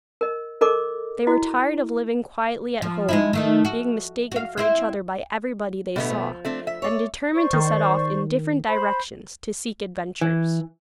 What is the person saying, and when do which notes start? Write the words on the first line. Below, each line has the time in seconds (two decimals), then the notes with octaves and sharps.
They were tired of living quietly at home, being mistaken for each other by everybody they saw, and determined to set off in different directions, to seek adventures.
0.21 A#4 D#5
0.61 A4 A#4 D#5 D6
1.27 E4 F#4 D#5
2.82 F3
3.09 G#3 D#4 E4
3.33 D#3 A3 D#4
3.65 F#4
4.32 F#4 F5
4.57 C4 E4 C5
5.96 B2 D3 G3 A3 B3
6.10 F3
6.45 A3 C4 D4
6.67 E5
6.82 C#5 D5
7.35 C5 D5 C#6
7.53 D#3
8.67 C5 B5
10.21 E3